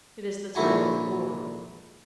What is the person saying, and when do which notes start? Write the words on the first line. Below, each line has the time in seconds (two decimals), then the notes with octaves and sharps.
It is the time of war.
0.55 A#1 G#2 D3 E4 F#4 G#5